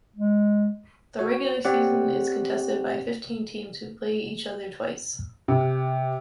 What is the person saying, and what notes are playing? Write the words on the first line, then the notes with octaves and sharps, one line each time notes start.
The regular season is contested by fifteen teams who play each other twice.
G#3
F#4 C#5
C4 G4 C#5 D5 F#5
C3